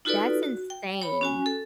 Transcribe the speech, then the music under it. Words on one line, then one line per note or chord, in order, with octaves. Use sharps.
That's insane.
D#4 F4 F#4 A4 B4 D5
F#4
G5
C#5 B5
C#4 F#4 G#5
A4